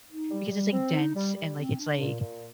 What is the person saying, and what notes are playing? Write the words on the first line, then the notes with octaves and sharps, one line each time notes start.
Because it's, like, dense and, like it's, like,
D#4
G3
G3
C4
D#4
G3
G3
C4
D4
A#2
A#2